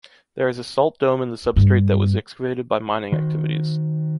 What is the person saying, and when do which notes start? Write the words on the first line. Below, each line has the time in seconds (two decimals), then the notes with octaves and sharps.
There is a salt dome in the substrate that was excavated by mining activities.
1.56 G2
3.12 D#3 F#4 C5